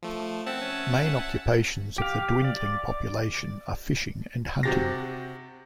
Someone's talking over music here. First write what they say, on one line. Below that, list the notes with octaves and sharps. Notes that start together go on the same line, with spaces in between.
Main occupations of the dwindling population are fishing and hunting.
F3 A3
C4 E5 F#5 A5
C#4
G4 F5
D5
C3 F#4 G4 A6 A#6